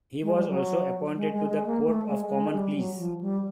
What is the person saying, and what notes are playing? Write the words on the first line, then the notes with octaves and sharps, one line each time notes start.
He was also appointed to the Court of Common Pleas.
G#3
G3
F#3
G#3
G#3
G#3
A3
A#3
A3
G#3
G#3
G3
F#3
F3
G3